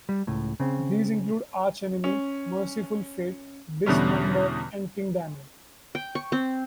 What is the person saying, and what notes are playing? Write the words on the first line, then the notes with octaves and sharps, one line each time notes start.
These include Arch Enemy, Mercyful Fate, Dismember and King Diamond.
G3
C#2 A2
C#3 C4
C#4
E2 B2 D3 G3 C#4
G5
C#6
C4